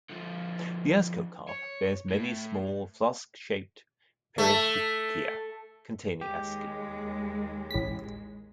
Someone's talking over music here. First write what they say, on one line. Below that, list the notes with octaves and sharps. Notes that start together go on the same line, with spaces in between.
The ascocarp bears many small, flask-shaped perithecia containing asci.
D3 F3
C#5
A2
A3
D#2 G#3 G4
A1 B6